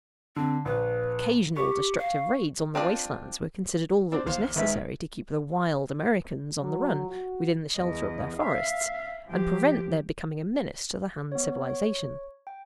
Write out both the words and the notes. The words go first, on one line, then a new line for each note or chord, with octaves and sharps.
Occasional destructive raids on the waste lands were considered all that was necessary to keep the "wild" Americans on the run within the shelter of their forests, and prevent their becoming a menace to the Han civilization.
D3 C4
A#1 B4
G4 C#6
F5
C4 D4 F4 D5
C4 D4
A1 D#2 C5 F5
G#1 D#3 G#3 B4 E5
F#3
F#4
E2 D#5
E5 F5
F3 G4
B3 C#5
C#5
G5